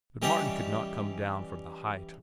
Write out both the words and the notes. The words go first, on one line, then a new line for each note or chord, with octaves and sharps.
But Martin could not come down from the height.
E3 G3 C#4 G4 D5 D#5